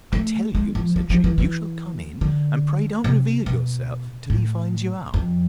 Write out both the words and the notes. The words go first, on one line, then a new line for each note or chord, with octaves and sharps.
I tell you, said she, you shall come in; and pray don't reveal yourself till he finds you out.
A3
G#3
F3
F3
F3
E3
E3
D3
C3
B2
A2
F2